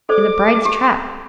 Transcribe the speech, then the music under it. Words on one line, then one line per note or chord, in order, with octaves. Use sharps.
"In the bride's trap."
A4 C5 D5 D6
G4